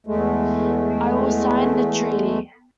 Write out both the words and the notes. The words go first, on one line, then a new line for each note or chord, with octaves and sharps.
I will sign the treaty.
E2 G#3 A3